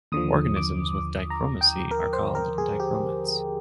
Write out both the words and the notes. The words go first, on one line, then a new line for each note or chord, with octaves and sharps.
Organisms with dichromacy are called dichromats.
D#2 D3 F3 D#6
D6
A#5
G5
A#4
C5
A#4
G#4
G4